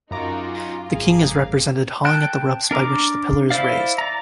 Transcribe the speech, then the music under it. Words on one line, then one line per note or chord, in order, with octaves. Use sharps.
The king is represented hauling at the ropes by which the pillar is raised.
F#2 D#4 F4 F#4 G#4 A#5 D6
G#1 G#4 F5
G5 A5 F#6
D4 A#4 A#5 D6
E4 C5 D5 F5
D5 A#5